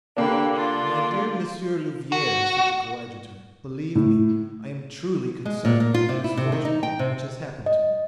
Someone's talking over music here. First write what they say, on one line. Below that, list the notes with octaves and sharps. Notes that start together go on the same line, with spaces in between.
"My dear Monsieur Louvieres," said the coadjutor, "believe me, I am truly concerned for the misfortune which has happened to you."
D3 A#3 D4 G4 B4
F4 D5
F#4
A2
G#3
A#2
A#3
F4
C3
E4
C3
D#3
D#4
G5
C3
D#5